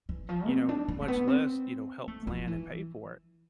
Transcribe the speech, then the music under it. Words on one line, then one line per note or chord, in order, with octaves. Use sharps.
you know much less, you know, help plan and pay for it."
E3
F3
C4
D4
D4
A3
B3
C4
A3
F3
E3